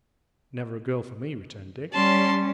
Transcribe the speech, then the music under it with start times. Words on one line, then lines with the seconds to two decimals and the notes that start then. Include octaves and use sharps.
"Never a girl for me," returned Dick.
1.93 G3 C#4 A5 C6